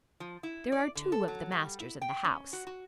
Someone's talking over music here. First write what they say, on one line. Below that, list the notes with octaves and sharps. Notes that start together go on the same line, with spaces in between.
There are two of the masters in the House.
F3
E4
D5
D3
A4
F#3
G3
E4
G5
C#4
F#4
F#4